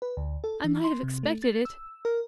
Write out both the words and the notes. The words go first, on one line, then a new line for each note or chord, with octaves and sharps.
I might have expected it.
B4
D2
A4
E3
C6
C3
A3
A6
E6
A#4